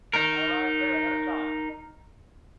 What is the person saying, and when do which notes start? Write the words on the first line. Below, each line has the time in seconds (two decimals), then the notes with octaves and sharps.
I arrived there ahead of time.
0.14 D#4 A#4